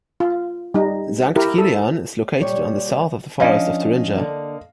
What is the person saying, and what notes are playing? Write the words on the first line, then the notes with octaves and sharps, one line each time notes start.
Sankt Kilian is located on the south of the forest of Thuringia.
F4
G3 D#4
E4 G4 A#4
A4
A#2 G3 C#5
F3 C#4 D4 C#5 D#5 F5
D3 A#3